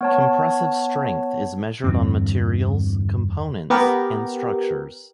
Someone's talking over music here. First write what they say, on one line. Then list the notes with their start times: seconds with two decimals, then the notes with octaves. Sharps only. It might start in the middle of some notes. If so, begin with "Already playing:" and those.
Compressive strength is measured on materials, components, and structures.
0.01 B3 C#5 A5
1.84 E2 G2 D3 C4
3.70 B3 G4 A#4